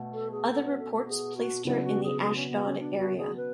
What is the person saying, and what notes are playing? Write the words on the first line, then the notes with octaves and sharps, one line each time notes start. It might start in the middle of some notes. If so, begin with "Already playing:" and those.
Other reports placed her in the Ashdod area.
Already playing: B2 A3
A4
G#4
A4
B4
A4
A4
G#4
F#4
C#3 F#3 B3 D4 E4
F#4
G#4
G#4
C#4
B3
C#4
D4
F#4
G#4
B4